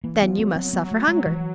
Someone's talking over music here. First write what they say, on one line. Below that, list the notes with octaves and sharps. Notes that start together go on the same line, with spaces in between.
"Then you must suffer hunger."
E3 A#3
B3
F3
F#3 B3
C4
B3
A3
G#3
E3